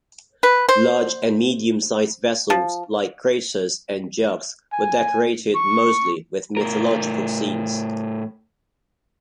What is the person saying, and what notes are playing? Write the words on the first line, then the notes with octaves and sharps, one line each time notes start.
Large and medium-sized vessels like "kraters" and jugs were decorated mostly with mythological scenes.
B4
C5
F3
G#5
C#6
A2 A#4